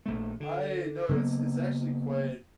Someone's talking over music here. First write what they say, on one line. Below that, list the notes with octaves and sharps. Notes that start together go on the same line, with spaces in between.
I no, it's it's actually quite
A#1 A3
D3
C#3 F#3 A#3 B3